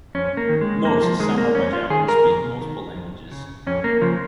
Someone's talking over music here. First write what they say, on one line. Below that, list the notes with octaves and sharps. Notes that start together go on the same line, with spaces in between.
Most Sama-Bajau can speak multiple languages.
F2 C#4
A#3
D#3
G#3
F2 A#3
F3
D#3 G#3
A#3
F2 C#4
F4
D#3 G#4
A#4
F2
D#3
F2
C#3
F2 C#4
A#3
C#3 F3